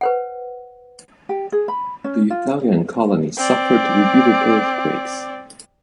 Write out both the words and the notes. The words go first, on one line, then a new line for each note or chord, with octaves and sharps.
The Italian colony suffered repeated earthquakes.
B4 C5 F#5
G4
G#4
B5
C#4
F4
C4 D5